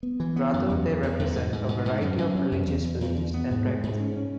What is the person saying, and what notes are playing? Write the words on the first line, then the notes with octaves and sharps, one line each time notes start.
Rather they represent a variety of religious beliefs and practices.
B3
E3
B3
F#2
E2
C#3
E2
E2
G#2
G#2
G#2
G#2
F#2
F#2
C#4
F#2
E2
E2
E2
E2
B3
G#2
G#3
G#2
C#4
C#4